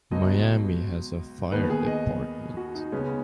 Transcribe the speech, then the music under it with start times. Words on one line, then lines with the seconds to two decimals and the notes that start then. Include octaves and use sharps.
Miami has a fire department.
0.11 C#2 B2 F#3 B3 D#5
1.52 D#2 D#3 B3 B4
1.70 G#4
1.87 D#5
2.57 F#4
2.75 D#4
2.92 C#2 C#3 G#3 B3 C#4